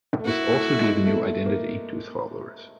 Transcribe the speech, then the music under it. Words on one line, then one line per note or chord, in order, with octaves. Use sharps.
This also gave a new identity to his followers.
A3
A#3 E4 F#4
A3
G#3
A3
A#3